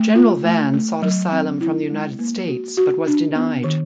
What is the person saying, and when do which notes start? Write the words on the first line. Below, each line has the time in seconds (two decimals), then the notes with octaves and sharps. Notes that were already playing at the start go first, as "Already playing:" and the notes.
General Van sought asylum from the United States but was denied.
Already playing: A3
0.15 F4
0.45 A3
0.73 A3
1.02 F#3
1.32 C4
1.61 E4
1.90 G#3
2.19 A#3
2.49 F#4
2.77 F#4
3.07 D4
3.35 B3
3.64 D#3